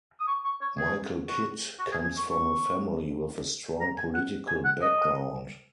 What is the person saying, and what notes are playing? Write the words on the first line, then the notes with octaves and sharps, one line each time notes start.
Michael Kitt comes from a family with a strong political background.
D#6
C#6
C#6
C#5
G#4
F#4
F#4
G#4
G#5
C#6
C#6
A#5
G#5
F#5
G#5
F#5
D#5